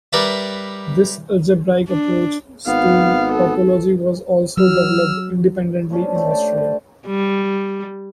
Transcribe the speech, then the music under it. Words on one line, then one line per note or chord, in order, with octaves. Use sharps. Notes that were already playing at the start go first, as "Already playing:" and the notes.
This algebraic approach to topology was also developed independently in Austria.
G3 A#4 B4 D5 E5
D4
G#1 B3 F5
A4
F#3 E6 F6
A#2 F3 C#4 D4
A3 G4 B5
C5 D5 A5
B4 D5
G3